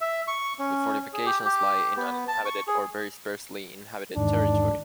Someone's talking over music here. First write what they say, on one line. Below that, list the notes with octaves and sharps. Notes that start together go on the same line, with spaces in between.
The fortifications lie in uninhabited or very sparsely inhabited territory.
E5
C#6
C#4
G#4
G4
G4
B3
A5
C#6
G#4
E2 G#2 D#3 D4